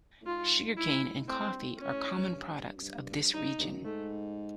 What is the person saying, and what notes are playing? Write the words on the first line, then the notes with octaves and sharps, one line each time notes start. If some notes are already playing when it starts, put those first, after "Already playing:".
Sugar cane and coffee are common products of this region.
A2
G#2 F4
E4
A2 C4
G2
G#2
A2
A#2 C#4
A2
A2
G#2
G2
G2
F#2
G2
G2 D#4
G2
F#2
G#2 A3